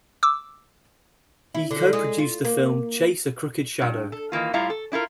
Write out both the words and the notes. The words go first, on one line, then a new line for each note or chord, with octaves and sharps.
He co produced the film "Chase a Crooked Shadow".
D6 E6
E4
D3
G#3
F4
A#3
G2
A4
D#3 E3 A#3 F4
A2 G3 E4 F4 F5 A#5
A4
D4 E4 F4 A#4